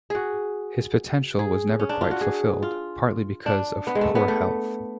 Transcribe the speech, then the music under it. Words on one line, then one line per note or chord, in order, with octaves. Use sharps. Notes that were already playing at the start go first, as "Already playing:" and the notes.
His potential was never quite fulfilled, partly because of poor health.
F#4 G#4
G#4
C#4
D4
F4
F#4
G#4
F4
D4
B3
G#3
A3
B3
A3